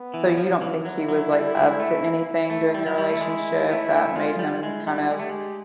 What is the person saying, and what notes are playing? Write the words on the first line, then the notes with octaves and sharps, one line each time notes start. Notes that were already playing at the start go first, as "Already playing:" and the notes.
so, you don't think he was, like, up to anything during your relationship that made him kind of,
Already playing: B3
E3
F3
E3
F#3 E4
F#3
G3
G#3
A3
A#3
E4
A3
G3 E4
F#3
G3
A3
G#3
A3 E4
G#3 F4
G3
G#3 E4
G3
G#3 G4
A3
G#3